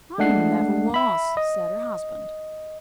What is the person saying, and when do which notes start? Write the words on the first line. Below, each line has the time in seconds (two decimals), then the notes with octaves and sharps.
"I never was," said her husband.
0.18 G#3 A3 D4 F#5 C7
0.94 E5 B5
1.37 D#5